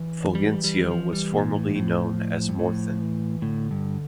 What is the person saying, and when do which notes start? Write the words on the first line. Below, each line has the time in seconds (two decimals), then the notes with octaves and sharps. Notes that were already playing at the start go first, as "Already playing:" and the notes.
Fulgencio was formerly known as "Morthon".
Already playing: E3
0.35 G3
0.64 G3
0.91 F3
1.13 G3
1.33 A#2
1.54 A2
1.75 A2 F3
2.49 G2
2.59 A2 F3
3.01 E3
3.42 A2 D3
3.71 G2